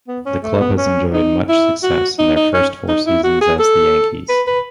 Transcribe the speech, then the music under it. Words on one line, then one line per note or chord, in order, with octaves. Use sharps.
The club has enjoyed much success in their first four seasons as the Yankees.
B3
C#4
A3
B3
C#4
D#4
E4
F#4
D#4
D#4
C#4
D#4
E4
F#4
G#4
A4
B4
B4